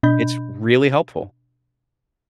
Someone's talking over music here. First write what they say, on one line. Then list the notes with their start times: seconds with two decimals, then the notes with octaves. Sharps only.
It's really helpful.
0.03 B2 D4 D#5 B5 G6